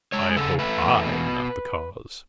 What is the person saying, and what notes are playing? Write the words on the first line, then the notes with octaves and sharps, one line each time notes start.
"I hope I am not the cause."
G#3 C#5
C#3 A4
A3 B4
E2
B2